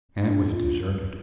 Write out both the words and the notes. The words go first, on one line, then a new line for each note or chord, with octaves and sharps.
And it was deserted.
D4
F4